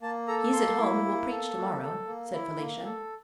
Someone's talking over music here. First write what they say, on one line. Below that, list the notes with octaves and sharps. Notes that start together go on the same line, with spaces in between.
"He is at home and will preach tomorrow," said Felicia.
A#3 A5
A4 A#5
A#3 C6
E4
A#3
A4
A#3
A4
A#3
E4
A#3
A4